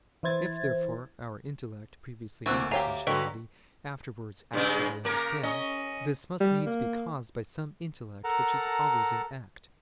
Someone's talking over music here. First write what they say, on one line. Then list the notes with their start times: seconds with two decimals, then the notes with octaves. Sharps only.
If, therefore, our intellect, previously in potentiality, afterwards actually understands, this must needs be caused by some intellect which is always in act.
0.23 E3 E4 C5 G#6 A6
2.46 D2 A#3 C4 E4 C#6 E6 F#6
2.71 G4 C#5 E5 F5 G#5 A#5
3.07 D3 F#3 B4 D#5 G5 C#6 B6
4.53 G2 C#3 G#3
5.04 C#3 A#3 A#4
5.43 C#4 D#5
6.41 G3
6.67 A#3
8.24 A4 A#4 F#5 A5 A#5